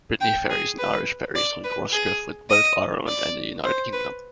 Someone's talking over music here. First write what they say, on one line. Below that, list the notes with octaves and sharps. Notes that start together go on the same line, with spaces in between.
Brittany Ferries and Irish Ferries link Roscoff with both Ireland and the United Kingdom.
G5
G#4
B4
D5
B4
G#4
D#5
D5
C5
B4